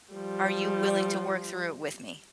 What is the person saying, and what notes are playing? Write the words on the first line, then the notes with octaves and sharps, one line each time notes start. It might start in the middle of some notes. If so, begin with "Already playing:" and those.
are you willing to work through with me?
F3 G3